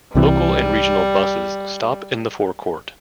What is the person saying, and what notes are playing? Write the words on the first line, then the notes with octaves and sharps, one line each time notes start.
Local and regional buses stop in the forecourt.
C2 C3 E3 G3